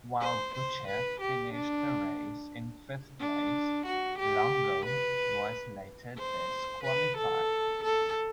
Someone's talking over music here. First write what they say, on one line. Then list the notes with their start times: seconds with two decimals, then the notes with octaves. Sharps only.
While Bucher finished the race in fifth place, Longo was later disqualified.
0.21 C5
0.54 C5
0.87 B4
1.20 G4
1.53 D4
3.19 D4
3.85 F#4
4.18 G4
4.85 B4
6.18 C5
6.84 B4
7.17 A4
7.84 A4